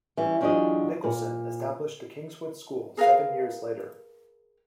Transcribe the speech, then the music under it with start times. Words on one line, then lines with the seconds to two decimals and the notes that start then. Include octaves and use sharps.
Nicholson established the Kingswood School seven years later.
0.17 E3 G3 C#4 E4
0.41 E2 F#3 D4 F4 G4 D#5
1.04 A#2
2.97 G#4 A#4 B4 F5